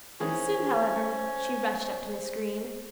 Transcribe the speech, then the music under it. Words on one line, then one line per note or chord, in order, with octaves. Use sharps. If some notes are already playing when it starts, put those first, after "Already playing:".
Soon, however, she rushed up to Miss Green.
D#3 E3 C#4 G#4 C5